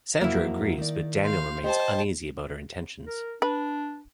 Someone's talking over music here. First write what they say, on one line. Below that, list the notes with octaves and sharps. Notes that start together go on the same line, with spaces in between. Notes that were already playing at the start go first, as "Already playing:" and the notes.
Sandra agrees, but Daniel remains uneasy about her intentions.
F2 F#3 A#3 E4 E5
D#3 D5
F5 C6 G6
G4 C5 D#5 G5 A5
A#4
D4 B4